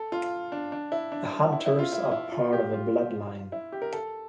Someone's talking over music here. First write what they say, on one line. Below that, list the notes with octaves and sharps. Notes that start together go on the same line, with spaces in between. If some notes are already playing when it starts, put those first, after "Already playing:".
The Hunters are part of a bloodline.
Already playing: A4
F4
D4
D4
E4
D4
E4
E4
F4
E4
E4
F4
G4
F4
E4
G4
A#4
A4